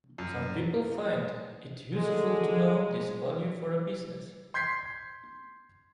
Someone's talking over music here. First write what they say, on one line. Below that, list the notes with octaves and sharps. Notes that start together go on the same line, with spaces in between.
Some people find it useful to know this value for a business.
F#2
D3 G#3
C6 G6 G#6 B6 C7